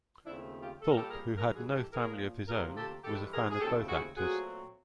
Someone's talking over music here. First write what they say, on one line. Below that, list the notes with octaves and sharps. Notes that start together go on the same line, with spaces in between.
Fulk, who had no family of his own, was a fan of both actors.
D#2 C#3 F3 A3 C4 D4 E4
F4 G4
A#2 G3 C4 A4
A#4
G4 A4
G#4 A#4
G#2 E3 G3 G#4 A#4
F#4 G#4
G#4
G4 A4
A#2 F3 A#3 G#4 A#4
D2 C3 F3 A#3 G#4 A#4
G4 A4
G2 E3 G#3 G4 A4
G#4 A#4
G#4
D#2 C#3 F3 A3 C4 G4 A4
F#4 G#4
A#2 F#3 A3 C4 F#4 G#4